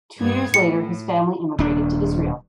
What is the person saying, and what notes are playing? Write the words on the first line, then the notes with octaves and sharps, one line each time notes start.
Two years later his family immigrated to Israel.
G2 B3 G#6
A2 C#7
D#1 D4